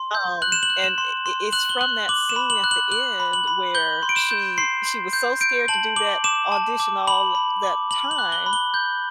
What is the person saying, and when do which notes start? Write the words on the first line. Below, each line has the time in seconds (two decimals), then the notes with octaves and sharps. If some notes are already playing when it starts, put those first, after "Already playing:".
Um, and, i i it's from that scene at the end where she she was so scared to do that audition all that time,
Already playing: C6
0.15 G6
0.42 F#6 F#7
0.52 E7
0.63 F#7
0.70 F#6
0.84 E7
0.98 C6
1.26 C6
1.53 F#6 F#7
1.69 G7
1.81 F#6 F#7
2.09 D6 F#7
2.29 E7
2.36 B5
2.50 F#7
2.64 F#6
2.71 F#7
2.92 F#6 F#7
3.20 B5
3.33 F#7
3.47 B5
3.75 G6 G7
4.03 C6
4.09 D7
4.16 E7
4.31 G6
4.58 C6 C7
4.86 C6
5.13 G6
5.41 G6 D7
5.68 A5 F#7
5.96 D6 F#7
6.24 D6 E7
6.52 A5
6.80 D6
7.07 B5 F#7
7.35 B5
7.63 D6
7.91 B5 F#7
8.11 F#7
8.19 F#6
8.32 G7
8.46 B5
8.53 G7
8.74 G6